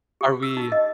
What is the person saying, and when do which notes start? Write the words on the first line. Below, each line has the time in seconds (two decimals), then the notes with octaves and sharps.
are we
0.21 G4
0.43 E6
0.57 D#4
0.72 D#5